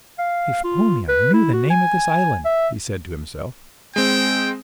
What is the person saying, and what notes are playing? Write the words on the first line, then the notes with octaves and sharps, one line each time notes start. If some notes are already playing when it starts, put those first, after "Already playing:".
"If only I knew the name of this island!" he said to himself.
F5
F4
B4
E4
F#4
G#5
E5
G#3 C4 G5